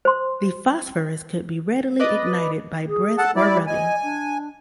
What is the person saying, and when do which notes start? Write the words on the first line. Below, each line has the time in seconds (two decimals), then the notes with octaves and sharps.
The phosphorus could be readily ignited by breath or rubbing.
0.05 C5 C6
2.00 B4 D5 D#5
2.87 G#4
3.19 A4 F#5 A5
3.36 G3 E4 D5
3.67 D#5 G#5
4.03 D4